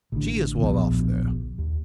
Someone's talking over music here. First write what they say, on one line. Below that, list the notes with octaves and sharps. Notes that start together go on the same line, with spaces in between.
She is well off there.
A1 D3
D1 A#1 F3 B3
D#2